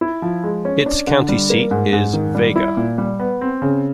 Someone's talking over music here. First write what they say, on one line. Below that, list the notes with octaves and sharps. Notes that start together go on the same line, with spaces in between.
Its county seat is Vega.
E4
F3
G#3
C#4
D4
D3
G3
A#3
G#2
G#2
D#3
G3
E4
A#2
G3
B3
C4
C#3